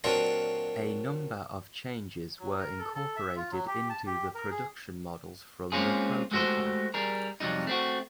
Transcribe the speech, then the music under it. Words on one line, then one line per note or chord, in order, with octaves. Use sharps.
A number of changes were incorporated into the production models from the prototype.
A#2 F#3 C4 D4 F4
F#3
A#4
A4
A4
E5
F4
F#3
G4
A5
G4
A#4
G#4
G#3 A#3 C4 C#4 F4 G#4
G#3 A3 F#4 G4 C5
G3 G#4 A#4
F2 C3 F#3 G3 D#4
A3 C4 F#4